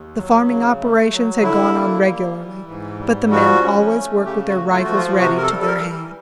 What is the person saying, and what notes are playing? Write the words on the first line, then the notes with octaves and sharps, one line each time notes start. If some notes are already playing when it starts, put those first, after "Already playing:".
The farming operations had gone on regularly, but the men always worked with their rifles ready to their hand.
Already playing: D#2
F#3
C#3
A3
F#3
D3 E4
A#3
G3
E3
G#2
G3
F3 F#4
C#4
A3
C#3 G4
F#4
A3
F4
F3 F#4
F4
C3 F#4
A#4
A4
G3
A4
A#4
E3